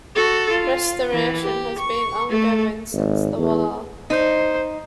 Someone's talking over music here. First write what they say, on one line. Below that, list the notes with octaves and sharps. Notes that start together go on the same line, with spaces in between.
Restoration has been ongoing since the war.
F#4 A4
F4
E3
G4
C#6
A3 A4
G#1
E2
D#4 C5